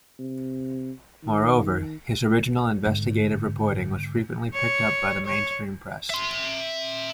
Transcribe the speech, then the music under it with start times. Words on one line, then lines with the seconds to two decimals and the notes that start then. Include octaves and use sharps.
Moreover, his original investigative reporting was frequently picked up by the mainstream press.
0.19 C3
1.23 D#3
2.85 G#2 D3
4.53 C#5
5.25 C#5
6.10 E5 C6